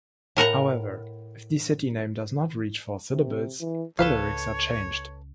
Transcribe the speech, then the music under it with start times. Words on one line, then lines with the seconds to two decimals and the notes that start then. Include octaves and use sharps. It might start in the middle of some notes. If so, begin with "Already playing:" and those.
However, if the city name does not reach four syllables, the lyrics are changed.
0.37 A2 A#4 F#5 A#5
3.12 C3
3.60 E3
3.99 C#2 A4 B4 C#5 F5